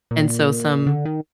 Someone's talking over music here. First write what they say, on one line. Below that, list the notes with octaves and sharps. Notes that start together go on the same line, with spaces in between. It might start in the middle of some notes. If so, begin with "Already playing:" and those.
And so some
A#2
D3
D#3